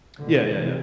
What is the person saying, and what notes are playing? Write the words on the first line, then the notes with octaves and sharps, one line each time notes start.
Yeah, yeah, yeah.
B2 D3
C3 E3